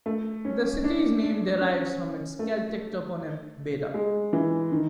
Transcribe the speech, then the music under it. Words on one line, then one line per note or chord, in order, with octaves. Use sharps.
The city's name derives from its Celtic toponym, "Beda".
A3
C#4
D4
D4
C#4
A3
G#3
E3
D#3